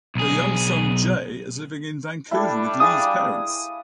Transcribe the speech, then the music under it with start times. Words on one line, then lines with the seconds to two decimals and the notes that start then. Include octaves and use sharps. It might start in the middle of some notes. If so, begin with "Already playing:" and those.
Their young son, Jay, is living in Vancouver with Lee's parents.
0.15 B1 G#4
2.31 G3 D4 E4 A4
2.80 E4 G#4 F5 D#6